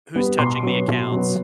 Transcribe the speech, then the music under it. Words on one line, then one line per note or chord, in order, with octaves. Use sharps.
Who's touching the accounts?
G3 B3
B2 C6
F#3 B3
B2
F#3 B3